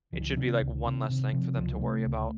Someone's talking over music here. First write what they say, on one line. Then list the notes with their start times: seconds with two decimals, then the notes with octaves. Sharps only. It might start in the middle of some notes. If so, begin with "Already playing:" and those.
it should be, like, one less thing for them to worry about.
0.12 C#2 F3
0.20 D#3
0.28 F3
0.36 C3 D#3
0.60 C#2
0.85 C3
1.10 C3
1.33 C3 F3
1.57 C#2 F3
1.70 F#3
1.81 C3 A3
2.05 C#2